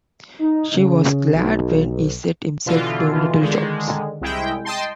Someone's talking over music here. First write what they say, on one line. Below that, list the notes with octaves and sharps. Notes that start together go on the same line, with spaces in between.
She was glad when he set himself to little jobs.
D#4
C#3
B1
B2 D3 E3 F4
D3 D#3 G#3
C2 G#3 E4 G5
D#5 G5 A5 C6